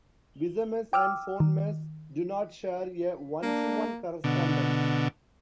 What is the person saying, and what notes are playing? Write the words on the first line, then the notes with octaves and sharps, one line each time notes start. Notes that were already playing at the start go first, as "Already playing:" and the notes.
Visemes and phonemes do not share a one-to-one correspondence.
G5 D6 E6 F6
D#3
A#3 D4
B2 D3